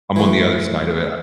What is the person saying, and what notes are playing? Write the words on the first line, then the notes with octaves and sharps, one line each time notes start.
I'm on the other side of it a
E3 A3